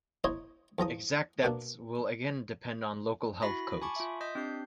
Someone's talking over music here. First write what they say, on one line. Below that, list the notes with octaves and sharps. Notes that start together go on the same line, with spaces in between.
Exact depths will again depend on local health codes.
D#4 E4 C5 C#5 D#5
E2 F3 A#5 D#6
B2 A#3 D4
E4 F#4 B5 A#6
G#5 A5 B5 C#6 D6
F4 E5
D#5 D#6 G6 B6
C4 D4 G4 G6 C7